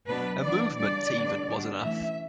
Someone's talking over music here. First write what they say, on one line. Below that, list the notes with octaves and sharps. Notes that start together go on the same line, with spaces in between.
A movement even was enough.
B2 F#3 B3 D4 B4
E3 B3 D4 D5
C#3 G3 D4 D5
D3 G3 B3 D4
B2 G3 B3 D4
E3 A3 C#4 E5